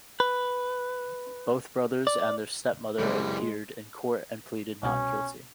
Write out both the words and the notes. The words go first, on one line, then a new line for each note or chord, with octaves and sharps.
Both brothers and their stepmother appeared in court and pleaded "not guilty".
B4
D5
F#1 C2 A#2 E3 G3 G#3
C2 B2 C#4